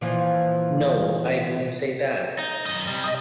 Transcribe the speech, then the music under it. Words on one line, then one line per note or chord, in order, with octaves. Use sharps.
No, I don't say that.
A#2 E3 F3
D#4
F#2 D#5
C3 G3
D#5